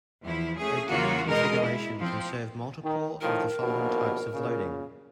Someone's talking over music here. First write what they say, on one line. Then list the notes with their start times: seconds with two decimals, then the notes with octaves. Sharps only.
A given configuration can serve multiple of the following types of loading.
0.22 E2 F3 E4
0.57 A3 C#4 G#4
0.87 E2 C#3 A#3 F4 F#4
1.26 B2 G#3 A#4 D#5
1.61 E4
1.99 F3 C4
2.84 D#3
3.21 A2 D#3 F3 A#4
3.59 A#1 D#2 B2
4.33 A#2 C#3